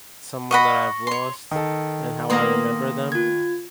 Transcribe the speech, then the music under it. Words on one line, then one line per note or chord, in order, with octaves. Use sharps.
someone that I've lost and how I remember them,
D#5 F#5 B5 C#6 A#6
C#5 C6
D#3 A4
A#3 B3 C6 D#6 A#6
F4 G#6